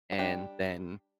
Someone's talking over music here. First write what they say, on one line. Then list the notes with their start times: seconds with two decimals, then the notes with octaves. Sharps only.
and then
0.12 F#5
0.19 G3 D4 G5